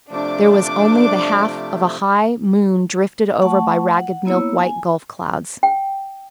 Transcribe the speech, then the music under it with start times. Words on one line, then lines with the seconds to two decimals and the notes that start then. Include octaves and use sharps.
There was only the half of a high moon drifted over by ragged, milk-white gulf clouds.
0.11 C3 F3 A3 D4 D6
3.41 A3 F#5 A5 C#6
3.94 F#5
4.25 A#3 B3 E4 C#5 E6
4.59 G#5
5.63 G5